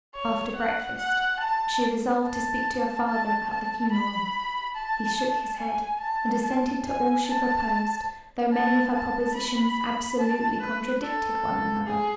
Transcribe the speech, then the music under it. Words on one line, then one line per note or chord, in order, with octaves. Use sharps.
After breakfast, she resolved to speak to her father, about the funeral. He shook his head, and assented to all she proposed, though many of her propositions absolutely contradicted one another.
C#5
F#5
F#5
A5
A5
A5
A5
B5
A5
A5
G#5
A5
A5
G#5
A5
A5
A5
B5
A5
B4
A4
G#4